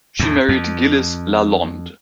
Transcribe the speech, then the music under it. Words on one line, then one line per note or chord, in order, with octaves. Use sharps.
She married Gilles Lalonde.
E2 A2
F2